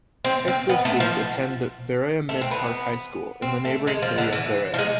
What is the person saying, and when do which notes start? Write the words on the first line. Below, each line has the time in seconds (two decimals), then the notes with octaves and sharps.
High school students attend Berea-Midpark High School, in the neighboring city of Berea.
0.24 C4
0.48 C4
0.69 B3
0.85 A3
1.00 F3
2.29 A3
2.41 C4
2.51 B3
3.42 C4
3.65 A3
3.87 G#3
4.02 F3
4.18 D3
4.32 E3
4.74 F3
4.78 G#3